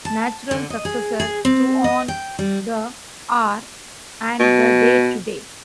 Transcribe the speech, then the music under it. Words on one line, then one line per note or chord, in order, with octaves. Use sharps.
Natural successor to on the Hour and The Day Today.
A5
D3
D#5
G#4
G#4
C4
D#5
G5
G3
B2